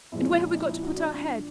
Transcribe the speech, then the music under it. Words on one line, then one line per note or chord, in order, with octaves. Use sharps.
And where have we got to put our heads?
A#2 F3 G#3 C4 E4
D#4
E4
F#4
D4